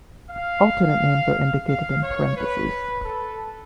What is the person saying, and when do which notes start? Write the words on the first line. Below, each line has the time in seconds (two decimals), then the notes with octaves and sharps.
Alternate names are indicated in parentheses.
0.30 F5
1.67 F5
2.02 C#5
2.36 B4
3.05 A4